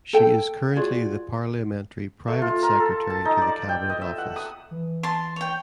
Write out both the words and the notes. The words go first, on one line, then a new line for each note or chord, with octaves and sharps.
She is currently the Parliamentary Private Secretary to the Cabinet Office.
A4 G5
F4 F#4 G#4 D5
A3
F4
A#4
A4
A5
D#4
D5
G5
D#5
E5
F#5
D#6
E3
A5 C6
C#5 G5